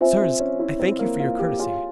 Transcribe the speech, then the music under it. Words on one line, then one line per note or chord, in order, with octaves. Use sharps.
'Sirs, I thank you for your courtesy.
C4 F4 C5 E5 G#5
C4
C#4
E4
C4
A#3
F4
G4
F4 G#4 C#5 F5 G#5 C6